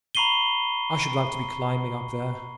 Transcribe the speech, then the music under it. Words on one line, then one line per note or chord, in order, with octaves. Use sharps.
I should like to be climbing up there!
A#5 B5 C#6 C7 D#7 G7